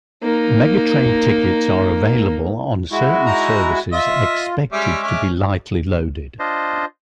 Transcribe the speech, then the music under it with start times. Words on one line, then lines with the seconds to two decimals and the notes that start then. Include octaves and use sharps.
Megatrain tickets are available on certain services expected to be lightly loaded.
0.23 A#3 D#4
2.92 G#3 E4 F#4
3.26 D#4 A#5
3.92 F4 D#5 E5
4.72 G3 G#3 C#4 E5 D6
5.03 C#4
6.39 D4 F4 C5 D#5